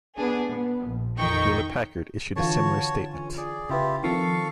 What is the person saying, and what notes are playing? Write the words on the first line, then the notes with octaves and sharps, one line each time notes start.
Hewlett-Packard issued a similar statement.
B3 D4 G#4
B3
A#1
F2 D#3 D#4 G5 C#6
D3 E3 F4 F#4 C#5 A5
C#4
G#4 D5
C#3 E4 F4 G4 B4
D#3 F3 C4 A4 F5 C#6